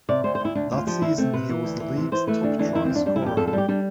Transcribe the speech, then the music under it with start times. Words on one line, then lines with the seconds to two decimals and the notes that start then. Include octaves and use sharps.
That season he was the League's top try-scorer.
0.09 C3 D5
0.24 D2 C5
0.35 C5
0.40 D2 E4
0.55 D2 D4
0.72 D2
0.77 F4
0.87 F3 G4
1.02 D2 E4
1.18 A3 C4
1.33 C3 B4
1.49 E3
1.64 D2
1.80 E3
1.97 C3
2.12 E3 C5
2.27 A3 B4
2.43 D2 D4
2.59 E3 D4
2.69 D4
2.75 F2 E4
2.85 C4
2.90 F2
2.95 D4
3.06 G3 D4
3.16 E4
3.21 F2
3.26 G4
3.37 F2 A4
3.47 A4
3.53 G3 G4
3.68 G3 D4